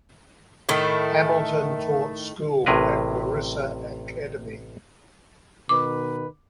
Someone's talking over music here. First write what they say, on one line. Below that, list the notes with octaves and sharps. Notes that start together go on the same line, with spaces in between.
Hamilton taught school at Marissa Academy.
A2 D#3 A3 E4
A1 A2 C3 G#4 A#4 B4
B2 D#3 B4 D6